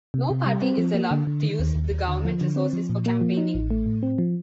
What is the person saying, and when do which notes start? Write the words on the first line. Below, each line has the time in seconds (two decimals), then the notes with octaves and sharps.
No party is allowed to use the government resources for campaigning.
0.14 C3
0.30 C3
0.46 G3
0.62 C4
0.78 F3
0.94 A#3
1.11 D3
1.27 D3
1.43 D#3
1.59 D#2
1.75 D#2
1.91 D#2
2.08 D3
2.25 F3
2.41 D3
2.56 C4
2.73 F3
2.89 A#2
3.06 A#3
3.21 F3
3.37 D#4
3.55 A1
3.71 A3
3.86 A2
4.03 C4
4.18 F3